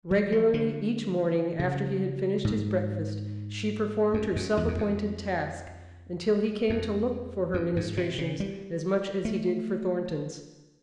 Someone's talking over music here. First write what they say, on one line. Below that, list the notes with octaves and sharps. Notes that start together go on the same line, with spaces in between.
Regularly, each morning after he had finished his breakfast, she performed her self-appointed task, till he came to look for her ministrations as much as he did for Thornton's.
F#3
F3
D3
C#3
G#2
F#2
F#2
E2
F#2
F2
F2
F#2
G#2
C3
C#3
G3
A3